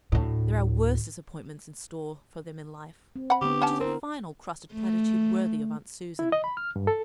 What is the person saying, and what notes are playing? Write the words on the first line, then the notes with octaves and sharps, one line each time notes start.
'There are worse disappointments in store for them in life-- Which is a fine old crusted platitude worthy of Aunt Susan.
D2 A2
C4
F#5 B5
D3 B3 G4
C#4 F#5 A5
C4 E4 A#4
A3
E4
D#5
B5
F6
G2
A4